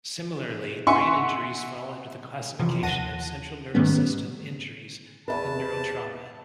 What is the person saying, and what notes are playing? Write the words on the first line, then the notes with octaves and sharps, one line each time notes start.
Similarly, brain injuries fall under the classification of central nervous system injuries and neurotrauma.
E5 F#5 G#5 C6 C#6
F#2 C3 E3 F3
D#2 F#5 A5 A#6 D#7
G#2 D#3 G3 A3 B3 C#4
E2 G2 B4 A5